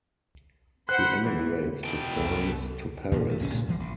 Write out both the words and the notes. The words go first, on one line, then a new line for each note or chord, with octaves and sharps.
He emigrates to France, to Paris.
C5 F#5 B5 F#6
E3
B2 G5
C2 A4
E2 G2 A#2 C#3
D#3 F3 A3
A#1 G2 D3 C#4
A2 G#3
D2 G#2 E3
A1